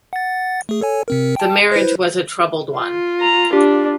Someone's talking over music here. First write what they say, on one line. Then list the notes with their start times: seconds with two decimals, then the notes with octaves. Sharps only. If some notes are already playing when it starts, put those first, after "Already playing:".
The marriage was a troubled one.
0.13 F#5 A6
0.69 A3 G#4
0.81 A4 C#5 G#5
1.08 C3 C4 A#4
1.36 G5 A5
1.72 E4 B4 C5
2.79 F4
3.21 A#5
3.53 D4 G4